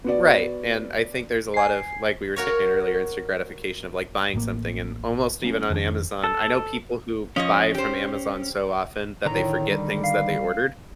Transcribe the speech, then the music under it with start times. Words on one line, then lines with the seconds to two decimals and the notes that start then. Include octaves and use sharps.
Y right, and I think there's a lot of like we were saying earlier, instant gratification of, like, buying something, and almost even on Amazon. I know people who buy from Amazon so often that they forget things that they ordered,
0.04 B3 F#4 D5
1.54 G#5 C7
2.36 F#4 A#4 C#5
4.34 A1 A2 C3 A#3
5.42 F#3 A#3 C#4
5.70 F2 D#3 C#4 D4
6.24 A4
7.36 F3 C#4 C#5 D#5
7.75 G4 C5
9.25 A2 D3 D#3 A#5
9.70 G3
10.04 F5 C7